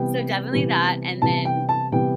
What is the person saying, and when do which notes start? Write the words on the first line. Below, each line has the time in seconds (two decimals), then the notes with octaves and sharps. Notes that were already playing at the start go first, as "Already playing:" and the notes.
So, definitely that and then
Already playing: C3 E3 G3 B3 G5
0.51 C3 E3 G3 B3
1.22 C3 E3 G3 B3 A5
1.45 G5
1.69 A5
1.92 C3 E3 G3 B3 G5